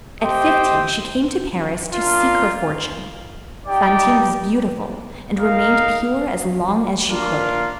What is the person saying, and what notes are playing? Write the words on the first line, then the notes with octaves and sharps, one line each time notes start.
At fifteen she came to Paris "to seek her fortune." Fantine was beautiful, and remained pure as long as she could.
C4 G4 C5 D#5 G5
A#3 D4 F4
D#4 G4 D5 G5
D#4 A#4 F5
A#3 D4 F4 A#4 F5